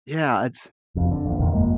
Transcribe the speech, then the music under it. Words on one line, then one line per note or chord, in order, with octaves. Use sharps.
Yeah, it's
F1 F2
D3
A#1 E2
F1 E2 A#2 D#3
G1 F2 G#3 A#3